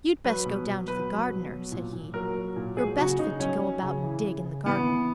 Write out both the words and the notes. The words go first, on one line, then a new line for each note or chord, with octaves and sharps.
"You'd best go down to the gardener," said he; "you're best fit to go about and dig in the garden."
F#3 B4
B2
B2
F#3 B4
F#3
B2
F#3
A#2
A#2
F#3 A#4
F#3
A#2
F#3 G#4
C#3 F#4
C#3 D#4
F#3 C#4
F#3
C#3
E3
C#3
C#3
E3 B3
E3